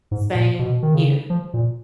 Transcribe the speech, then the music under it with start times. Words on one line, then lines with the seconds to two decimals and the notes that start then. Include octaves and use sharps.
Same h here.
0.11 G#2
0.35 A#2
0.59 B2
0.83 D#3
0.94 C#3
1.30 F3
1.54 A#2